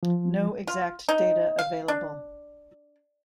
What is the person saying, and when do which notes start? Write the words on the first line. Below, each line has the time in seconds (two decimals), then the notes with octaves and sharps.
No exact data available.
0.03 F3
0.67 F4
1.09 D#4
1.59 F5
1.88 D4